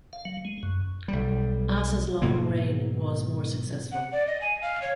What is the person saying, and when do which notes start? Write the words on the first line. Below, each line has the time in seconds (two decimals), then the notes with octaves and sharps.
Asa's long reign was more successful.
0.13 F5
0.25 F#3
0.45 G#3
0.63 F#2
1.08 B1 G3
2.22 G#2 B2 F#3 A#3
3.92 F#5
4.12 D5
4.27 D#5
4.41 G#5
4.62 F5
4.82 C#5